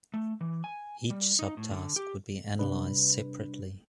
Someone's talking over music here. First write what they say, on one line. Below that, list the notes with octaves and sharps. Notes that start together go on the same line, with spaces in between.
Each subtask would be analyzed separately.
A3
E3
G#5
G3
D#4
A2
D3
G4
C3 G3 D4 B4